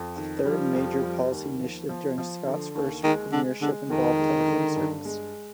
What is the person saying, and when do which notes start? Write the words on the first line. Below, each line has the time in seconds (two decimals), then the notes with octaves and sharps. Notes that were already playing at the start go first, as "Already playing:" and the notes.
A third major policy initiative during Scott's first premiership involved telephone service.
Already playing: F2
0.17 D#3
0.45 F3 G3
0.74 F2
1.03 G3
1.32 D#2
1.60 F3
1.89 F3
2.18 F3
2.46 D3
2.75 D#2
3.04 D#3 G#3
3.32 D3 G#3
3.61 D3 G#3
3.90 F2 D#3
4.19 G#3
4.48 D3
4.76 G2
5.05 G#3